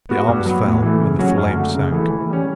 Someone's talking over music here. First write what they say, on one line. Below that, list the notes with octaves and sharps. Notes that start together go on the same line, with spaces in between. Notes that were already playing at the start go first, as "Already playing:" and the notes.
The arms fell and the flame sank.
B3 F#4
G2
F#3 B3
A2
E3 A3
C#3
F#3 C#4 F#4
F#2
D3 A3
C#3
E3 A3
E3
G3 C#4